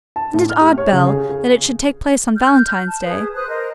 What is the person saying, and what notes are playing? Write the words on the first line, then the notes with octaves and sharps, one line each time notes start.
Isn't it odd, Bell, that it should take place on Valentine's day?
A5
A2
F6
G4
C#5
C#3
G#4
G#4
F6 G6
A5
G#4 B4 D#6
B4 C5 D#6 F#6
A#4 C5 D#5